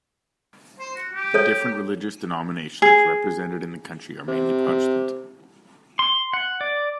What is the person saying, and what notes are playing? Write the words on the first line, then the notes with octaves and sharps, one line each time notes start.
The different religious denominations represented in the county are mainly Protestant.
C5
F#4
G4
A4 C#5
G#4
C3
C6
F#5
D5